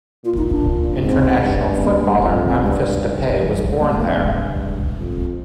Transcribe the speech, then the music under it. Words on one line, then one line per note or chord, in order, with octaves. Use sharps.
International footballer Memphis Depay was born there.
A#2 F4
D#4
D4
G#2 C4
G2
C4
A#3
G#3
F2 G3
G#3
C4
G2 G#3
G#2
F3
G#3
G3
G#3
G2 A#3
G#3
A#3
C4
G#3
F2